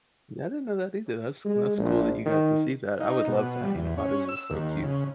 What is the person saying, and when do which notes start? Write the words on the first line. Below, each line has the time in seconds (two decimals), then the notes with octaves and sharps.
Yeah, I didn't know that either. That's that's cool that you got to see that. I would love that, you know, otters are so cute.
1.45 G#3
1.78 A#1
2.26 D#3
3.00 D#4
3.28 B2
3.63 G3
3.75 E2
3.97 C#4
4.29 E6
4.51 D#2
4.83 C#3